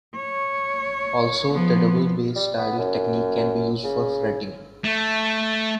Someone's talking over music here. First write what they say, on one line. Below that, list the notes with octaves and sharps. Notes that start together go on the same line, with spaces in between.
Also, the double bass-style technique can be used for fretting.
C#5
F3 B3
G3
B3
F#2
C#3
A3